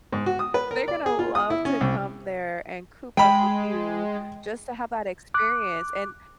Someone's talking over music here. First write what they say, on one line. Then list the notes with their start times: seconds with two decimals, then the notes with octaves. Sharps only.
they're gonna love to come there and coop up with you just to have that experience, and
0.13 G#2
0.26 F#4
0.39 D#6
0.54 B4
0.71 A#4
0.88 D5
1.06 G#4
1.19 F4
1.35 D#6
1.50 E4
1.65 C#4
1.81 C2
3.17 G#3 G5 B5
5.34 D6 F#6